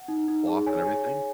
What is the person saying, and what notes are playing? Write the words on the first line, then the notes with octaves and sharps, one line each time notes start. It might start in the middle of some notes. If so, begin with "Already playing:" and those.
floss and everything?
Already playing: F#5
D#4
D#4
G#4
C#5 G#5
C#5
C#5